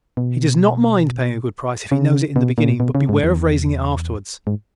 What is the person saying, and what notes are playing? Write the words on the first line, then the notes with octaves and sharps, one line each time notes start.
He does not mind paying a good price if he knows it in the beginning, but beware of raising it afterwards.
B2
C#3
B2
A#2
B2
C#3
G#2
E2
G#2